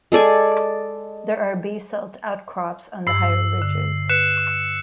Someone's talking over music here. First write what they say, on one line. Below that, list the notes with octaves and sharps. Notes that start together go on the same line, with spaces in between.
There are basalt outcrops on the higher ridges.
G#3 A4 D5 G#5
G2 E6 C7
D3
B4 F#6 C#7 E7